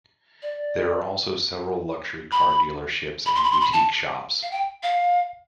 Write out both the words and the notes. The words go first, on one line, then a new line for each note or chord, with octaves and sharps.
There are also several luxury car dealerships and boutique shops.
D5
B5
B5
C6
B5
C6
B5
A5
F5
G5
F5